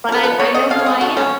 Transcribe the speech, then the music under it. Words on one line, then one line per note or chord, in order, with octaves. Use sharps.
but I I know who I am,
F3 A#4
F3 B4
B3 C#5
B3 D#5
B2 F5
C#5
G#3 D#5
B2 F#4
B3 C#4